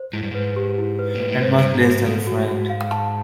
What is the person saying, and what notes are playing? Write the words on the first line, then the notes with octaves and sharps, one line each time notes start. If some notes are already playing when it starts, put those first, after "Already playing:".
And much less than a friend.
Already playing: C5
G#2 E4
G2
G#2 B4
G4
E4
B4
A#2 B4
A2
G#2 C5
G2
C5
G#2
F#4
G#2
G#2 A4
F#4
F#4
F5
A5